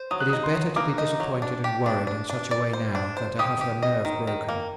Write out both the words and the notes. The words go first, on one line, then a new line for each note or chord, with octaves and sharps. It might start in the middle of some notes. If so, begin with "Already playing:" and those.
It is better to be disappointed and worried in such a way now than to have her nerve broken.
Already playing: C5
F#3 D#6
F#6
D#4 D#6
C6
F#3
A#3 D6
D#4
F#3
D4
G4
D4
D4
D4
D5
C5
D4
C5
G4 D#6
G4
D#5
D#3
D#3
A#3